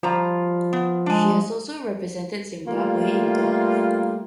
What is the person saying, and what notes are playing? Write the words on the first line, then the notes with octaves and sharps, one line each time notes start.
She has also represented Zimbabwe in golf.
F3 G3 F4 A#5
B3
G#3 D4 G#5
G3 A3 A#3 F4